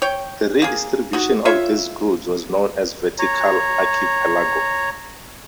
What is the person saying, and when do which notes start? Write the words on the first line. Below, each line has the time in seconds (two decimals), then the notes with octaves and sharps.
The redistribution of these goods was known as vertical archipelago.
0.02 C#5 G5
0.62 A#3 G#4
1.13 D#4 F#4
1.45 F4 C#5 E5
3.19 C#5 A#5